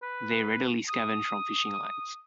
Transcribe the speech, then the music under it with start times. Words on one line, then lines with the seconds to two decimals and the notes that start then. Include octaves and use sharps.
They readily scavenge from fishing lines.
0.03 B4
0.89 D#6